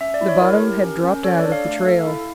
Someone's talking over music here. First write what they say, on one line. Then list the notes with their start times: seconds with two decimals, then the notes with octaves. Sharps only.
The bottom had dropped out of the trail.
0.01 C#4 E5
0.14 D5
0.21 E4
0.28 C#5
0.41 E4 A#4
0.62 G4
0.83 C#4
1.03 C#4
1.24 A4 C#5
1.38 D5
1.45 D4
1.52 F5
1.65 A3
1.86 A4
2.07 E4